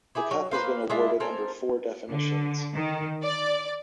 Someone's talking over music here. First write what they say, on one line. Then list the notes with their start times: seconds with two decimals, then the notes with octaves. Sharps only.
The Cup has been awarded under four definitions.
0.15 E4 G4 G#4
0.31 F#3
0.51 A#3 B4 C5 F5
0.90 G#3 D4 E4 F4
1.20 C4 A4 A#4 G#5
2.09 D3
2.75 D#3
3.23 D5